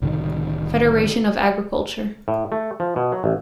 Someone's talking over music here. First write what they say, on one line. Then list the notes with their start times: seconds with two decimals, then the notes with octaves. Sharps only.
Federation of Agriculture.
0.02 C2 A2 D3 D#3
2.28 A2
2.52 A3
2.80 F3
2.96 B2
3.12 F#3
3.24 A1